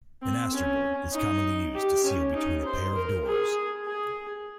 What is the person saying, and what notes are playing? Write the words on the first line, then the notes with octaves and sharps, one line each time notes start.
An astragal is commonly used to seal between a pair of doors.
C4
C#4
D#4
G4
C#4
D#4
C5
A#4
G#4
G#4